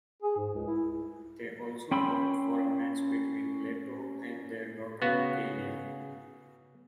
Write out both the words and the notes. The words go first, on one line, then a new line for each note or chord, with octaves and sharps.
They also hope for a match between Leto and their daughter, Kailea.
G#4
G#2
C#2
E4
C#4 G5 B5 C6 E6
C#3 B3 F#4